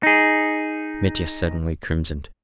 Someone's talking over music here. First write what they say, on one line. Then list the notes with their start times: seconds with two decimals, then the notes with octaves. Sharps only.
Mitya suddenly crimsoned.
0.03 D#4 G#4